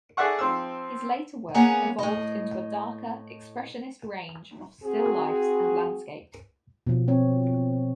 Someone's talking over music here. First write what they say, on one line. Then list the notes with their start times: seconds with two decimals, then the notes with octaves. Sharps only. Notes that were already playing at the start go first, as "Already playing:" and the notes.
His later work evolved into a darker, Expressionist range of still lifes and landscapes.
0.17 G#4 A4 D5 E5 F#5 C#6
0.39 F3 C4 E6
1.54 A#3 B3 C#4 G#4 F#5 A#5
1.99 A2 D#5
4.83 C4 F#4 G#4
6.87 B2 F3
7.08 C4 C#5